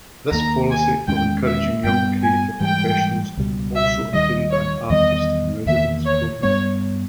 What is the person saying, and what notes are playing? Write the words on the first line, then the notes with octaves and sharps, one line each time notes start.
This policy of encouraging young creative professionals also included an Artist-in-Residence program.
D#2 D#3 A#3 A#5
G#5
E2 D#3 G#3 C#4 G5
E5
G2 G3 B3 G5
G#5
G#2 E3 G3 G5
C#2 B2 G3
E5
D#2 D#3 G3 D#5
C#5
E2 D#3 G3 B3 D#5
E2 D#3 A#3 E5
C#5
G2 G3 B3 C#5